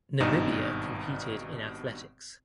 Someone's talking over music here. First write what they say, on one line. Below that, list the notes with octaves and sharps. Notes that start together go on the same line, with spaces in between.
Namibia competed in athletics.
G#1 G2 B2 D#4 E7